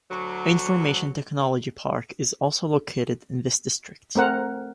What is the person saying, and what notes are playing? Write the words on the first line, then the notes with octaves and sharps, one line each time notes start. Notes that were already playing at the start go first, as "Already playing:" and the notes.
Information Technology Park is also located in this district.
D2 F#3
A3 C4 A#4 F#5